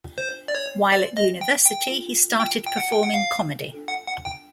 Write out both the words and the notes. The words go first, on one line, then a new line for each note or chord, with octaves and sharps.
While at university, he started performing comedy.
C5
D5
C#5
D5
D#5
G5
G5
G5
G5
F#5
G5
F#5
F5
F#5
F#5
G5